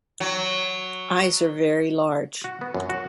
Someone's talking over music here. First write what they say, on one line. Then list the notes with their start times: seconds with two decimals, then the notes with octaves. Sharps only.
Eyes are very large.
0.20 F#3
2.44 F#4
2.61 B3
2.74 F#2
2.90 F#4